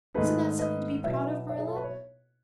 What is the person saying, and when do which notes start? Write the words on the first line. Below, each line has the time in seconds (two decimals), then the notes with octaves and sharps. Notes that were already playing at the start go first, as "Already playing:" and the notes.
Isn't that something to be proud of, Marilla?
0.14 G#2 D#3 A3 D#4 G#4 B4
0.59 B4 D#5
1.03 B2 F#3 B3 E4 C#5 E5
1.49 C#5 E5
1.59 G#4
1.68 A4
1.76 B4
1.84 C#5